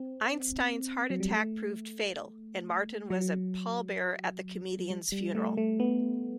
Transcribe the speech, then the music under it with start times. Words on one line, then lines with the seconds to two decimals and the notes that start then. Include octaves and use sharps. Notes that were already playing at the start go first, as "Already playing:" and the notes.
Einstein's heart attack proved fatal, and Martin was a pallbearer at the comedian's funeral.
Already playing: C4
1.10 F#3
1.20 G3
1.31 A3
3.10 F#3
4.90 G3
5.12 G3
5.35 A3
5.57 A3
5.80 B3